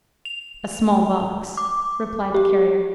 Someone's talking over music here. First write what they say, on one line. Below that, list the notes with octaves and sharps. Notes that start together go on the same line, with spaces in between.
"A small box," replied the Carrier.
F7
D6
G4